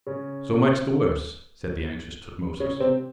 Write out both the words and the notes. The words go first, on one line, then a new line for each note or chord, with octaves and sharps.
"So much the worse," said the anxious Tutmosis.
C#3 C#4
C#3 C#4
C3 C4